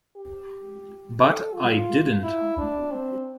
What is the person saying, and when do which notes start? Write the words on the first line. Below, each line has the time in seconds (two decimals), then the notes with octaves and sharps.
But I didn't.
0.16 G4
1.20 A4
1.54 F4
2.23 E4
2.58 D4
2.92 C4